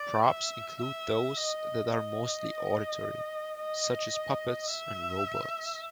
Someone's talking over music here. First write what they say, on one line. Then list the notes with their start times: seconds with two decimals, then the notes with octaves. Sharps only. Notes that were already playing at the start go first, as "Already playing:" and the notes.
Props include those that are mostly auditory, such as puppets and robots.
Already playing: D5
0.25 E5
0.81 E5
1.37 D#5
1.92 D#5
3.59 D#5
4.71 E5